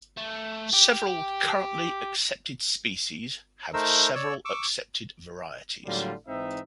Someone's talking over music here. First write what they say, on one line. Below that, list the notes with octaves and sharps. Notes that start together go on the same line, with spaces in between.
Several currently accepted species have several accepted varieties.
A3
G4
A3 D#4 A#4 C5 E6
C#5 D5 E6
C#6 D6 E6
A2 D3 F#3 G3 A#3 F4
G#2 E3 C4 D#4 E5